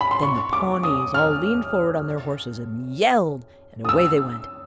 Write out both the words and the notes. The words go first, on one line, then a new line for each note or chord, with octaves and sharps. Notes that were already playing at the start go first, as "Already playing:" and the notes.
Then the Pawnees all leaned forward on their horses and yelled, and away they went.
B5
C6
C#6
D6
D#6
F6
D#6
E6